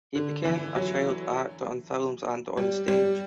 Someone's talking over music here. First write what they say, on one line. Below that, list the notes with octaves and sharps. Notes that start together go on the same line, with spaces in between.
He became a child actor in films and onstage.
D3
E3
F#3
G3
G3